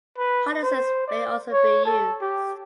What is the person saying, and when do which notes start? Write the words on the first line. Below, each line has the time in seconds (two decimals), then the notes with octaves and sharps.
Harnesses may also be used.
0.18 B4
0.63 C5
1.08 D5
1.52 C#5
1.85 A4
2.21 G4